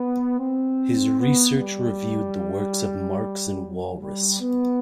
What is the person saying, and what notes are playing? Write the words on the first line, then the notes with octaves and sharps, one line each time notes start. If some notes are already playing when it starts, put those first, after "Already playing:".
His research reviewed the works of Marx and Walras.
Already playing: B3
C4
B3
G3
F#3
G3
B3